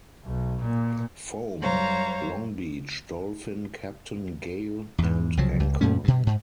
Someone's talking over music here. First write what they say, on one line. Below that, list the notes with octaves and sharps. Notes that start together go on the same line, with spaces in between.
'Foam', 'Longbeach', 'Dolphin', 'Captain', 'Gale' and 'Anchor'.
B1
A#2
F#2 G3 C5 C#5 F5 A#5
E2 G#2
C2 C#3 F3 F#3
C#2
F#2 A#2 A3 C#4
G2 B2
G#2